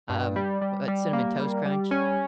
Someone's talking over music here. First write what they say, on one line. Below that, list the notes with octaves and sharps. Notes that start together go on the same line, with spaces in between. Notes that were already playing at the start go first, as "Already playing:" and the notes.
um, what Cinnamon Toast Crunch.
G2
G3
G3
G3
A#3
G3
G3
C#4